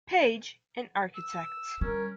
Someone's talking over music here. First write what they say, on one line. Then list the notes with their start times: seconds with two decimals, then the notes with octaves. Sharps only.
Page, an architect.
1.16 E6
1.81 G3 C#4 A#4